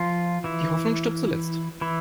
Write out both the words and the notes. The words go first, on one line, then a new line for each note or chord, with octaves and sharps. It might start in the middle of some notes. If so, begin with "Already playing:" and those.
Die Hoffnung stirbt zuletzt.
Already playing: F3 F4
E3 E4
E3 E4